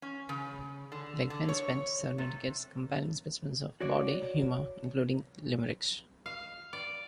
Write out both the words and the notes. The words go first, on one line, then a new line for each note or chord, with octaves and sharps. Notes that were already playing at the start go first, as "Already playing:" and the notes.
Legman spent several decades compiling specimens of bawdy humor including limericks.
C#4
C#3
D3
D3
C#5
C3
F#4 C#5 D5
F5
D5